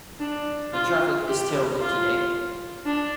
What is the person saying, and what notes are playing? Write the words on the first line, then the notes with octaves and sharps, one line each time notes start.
The traffic is terrible today.
D4
F4
G4
F4
D4